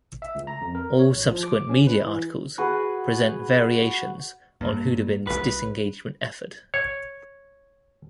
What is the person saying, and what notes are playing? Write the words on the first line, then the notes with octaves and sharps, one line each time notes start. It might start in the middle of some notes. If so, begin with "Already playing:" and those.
All subsequent media articles present variations on Houdebine's disengagement effort.
E5
C#2
A#5
F2
A#4
C#5
A1
F3
D6
C#4
B4
E3
F#4 G#4 B4
G2 A#3
D#1 C2 B4
C#5